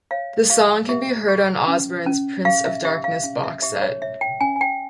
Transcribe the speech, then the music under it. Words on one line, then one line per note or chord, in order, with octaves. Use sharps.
The song can be heard on Osbourne's "Prince of Darkness" box set.
C#5 F5
G4 F5
G4 E5
G4
C#4
C#4
G4 F5
E5
G4 E5
F5
C#4
E5
G4 E5
C#5
C#5 E5
G5
C#4 G#5
G#5
G5